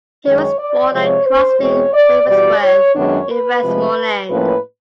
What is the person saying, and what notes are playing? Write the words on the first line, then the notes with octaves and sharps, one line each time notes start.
He was born at Crosby Ravensworth in Westmorland.
F#2 D#3 G#3 C#4 C#5
D5
C3 F3 G#3 C#5
C5
E2 B2 G#3 C4 C#5
D5
E2 B2 G3 D5
C#5
F#2 D#3 G#3 B3 D4 C#5
B4
C3 F3 G#3
A2 F3 A#3 C#4 B4